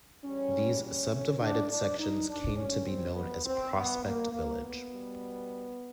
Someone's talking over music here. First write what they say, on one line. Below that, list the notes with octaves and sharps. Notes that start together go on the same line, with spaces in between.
These subdivided sections came to be known as Prospect Village.
C#3 E3 G3 C#4
C#4
D4
D4
D#4
D4
A#2 G3 C#4
C4
B3
C4
B3
A#3
A#3
B3
B2 G3